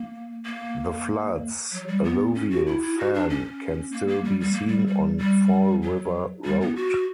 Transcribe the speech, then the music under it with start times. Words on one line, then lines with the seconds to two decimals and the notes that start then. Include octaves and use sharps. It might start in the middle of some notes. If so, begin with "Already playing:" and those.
The flood's alluvial fan can still be seen on Fall River Road.
Already playing: A#3
0.46 A#3
1.72 F#3
1.88 G3
2.04 B3
2.35 C#4
2.50 F#4
2.66 E4
2.82 E4
2.98 F#4
3.14 D4
3.30 C#4
3.92 A#3
4.08 A#3
4.25 G3
4.40 G3
4.53 A#3
4.67 G3
4.87 G3
5.18 G3
5.82 F#3
6.45 G3
6.61 B3
6.76 F#4